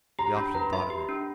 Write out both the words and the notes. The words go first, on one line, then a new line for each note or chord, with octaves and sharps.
He often thought of it.
G4 A#5
D4 B5
B4 A#5
C6
E5 B5
G4
D4